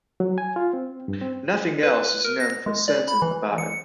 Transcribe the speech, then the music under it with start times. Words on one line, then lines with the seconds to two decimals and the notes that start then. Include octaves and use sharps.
Nothing else is known for certain about him.
0.20 F#3
0.38 G#5
0.56 F4
0.73 C4
1.08 G2
1.21 C4
1.83 B4
2.25 A#4
2.40 A#6
2.66 G#3
2.88 D5
3.08 B5
3.22 E3
3.58 C#7